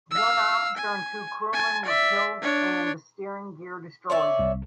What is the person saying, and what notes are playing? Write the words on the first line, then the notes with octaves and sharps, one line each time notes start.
One officer and two crewmen were killed and the steering gear destroyed.
F5 E6
G#5
G#5 A5
D5 E5
D4 C#5
C#5 D5 E5
C2